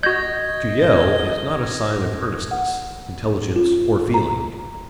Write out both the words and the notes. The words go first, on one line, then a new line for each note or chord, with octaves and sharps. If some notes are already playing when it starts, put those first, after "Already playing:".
To yell is not a sign of earnestness, intelligence, or feeling.
F#4 D#5 G6 G#6 A#6
F#5
F4
A#5